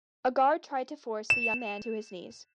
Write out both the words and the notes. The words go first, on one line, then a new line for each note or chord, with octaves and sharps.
A guard tried to force the young man to his knees.
E7